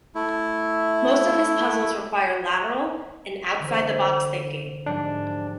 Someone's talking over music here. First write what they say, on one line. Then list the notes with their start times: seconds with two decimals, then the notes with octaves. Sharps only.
Most of his puzzles require lateral and "outside the box" thinking.
0.15 A3 E4
3.59 D3 E3 C5
4.86 G#2 F3 G3 D4